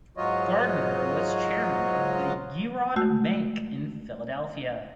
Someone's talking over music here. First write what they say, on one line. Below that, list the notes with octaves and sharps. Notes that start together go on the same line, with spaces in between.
Gardner was chairman of the Girard Bank in Philadelphia.
G#2 F#3 F4 F#4 C#5 D#5
G#3 A3 F#4 E6 G6